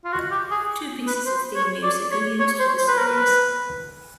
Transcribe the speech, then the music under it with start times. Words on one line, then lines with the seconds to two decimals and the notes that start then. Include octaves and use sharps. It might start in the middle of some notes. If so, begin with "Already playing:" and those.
Two pieces of theme music are used for the series.
0.04 F4
0.13 F#4
0.31 G4
0.51 G#4
1.07 B4
1.26 C5
1.55 C#5
1.83 D5
2.11 C#5
2.40 C#5
2.60 C5
2.78 C5
2.88 B4
2.98 A#4
3.07 B4